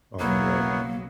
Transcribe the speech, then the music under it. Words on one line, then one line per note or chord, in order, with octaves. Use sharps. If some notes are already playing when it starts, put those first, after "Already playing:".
Oh, yep.
B1 C#3 F#3 A#3 B3 E4 A#4 C#5